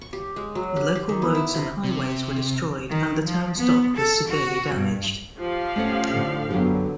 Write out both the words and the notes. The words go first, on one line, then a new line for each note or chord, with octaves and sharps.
Local roads and highways were destroyed and the town's dock was severely damaged.
C#6
G4
G#3
F#3
G4
G4
D#3
B3
E4
C3
C3
D#3
F3
B3
A4
F#4
G2
F3 G4 F5
A3 C#4 F#5
A2 D3
F#2 D3 F#3 B3 G4